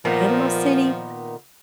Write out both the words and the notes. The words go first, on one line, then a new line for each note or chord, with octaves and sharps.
Panama City,
A#2 D#3 F3 B3